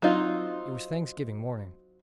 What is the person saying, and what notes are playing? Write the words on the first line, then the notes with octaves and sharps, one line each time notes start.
It was Thanksgiving morning.
F#3 C4 D#4 F4